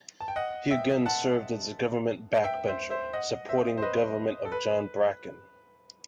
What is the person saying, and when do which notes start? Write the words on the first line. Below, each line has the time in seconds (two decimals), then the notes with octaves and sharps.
He again served as a government backbencher, supporting the government of John Bracken.
0.20 A5
0.28 G5
0.36 D#5 F#5
0.71 E5 G5
1.06 F#5 A5
2.44 E5 G5
2.68 C5 E5
2.90 C5 E5
3.13 D#5 F#5
3.49 C5 E5
3.77 C5
3.82 B4 D#5
4.45 A4
4.52 B4